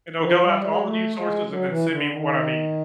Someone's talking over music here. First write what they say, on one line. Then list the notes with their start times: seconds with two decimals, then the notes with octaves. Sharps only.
And it'll go out to all the news sources and then send me what I need.
0.21 F3
0.42 G3
0.63 G#3
0.84 A3
1.15 G#3
1.47 F#3
1.68 E3
1.89 D3
2.10 D#3